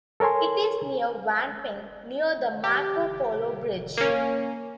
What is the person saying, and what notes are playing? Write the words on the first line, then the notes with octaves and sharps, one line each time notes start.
It is near Wanping, near the Marco Polo Bridge.
A4 A#4 C#5 G#5 C6
G4
A#3 C#4